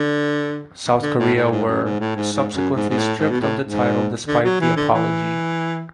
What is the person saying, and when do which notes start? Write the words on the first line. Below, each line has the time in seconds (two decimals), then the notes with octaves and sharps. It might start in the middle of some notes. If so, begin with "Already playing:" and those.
South Korea were subsequently stripped of the title despite the apology.
Already playing: D3
1.02 D3
1.19 A2
1.35 A2
1.51 G#2
1.68 F#2
1.84 G#2
2.00 A2
2.16 G#2
2.32 G#2
2.54 F#2
2.76 G#2
2.90 G#2
2.98 A2
3.19 G#2
3.31 B2
3.41 A2
3.63 G#2
4.27 D3
4.44 F#3
4.60 E3
4.77 D3
4.93 E3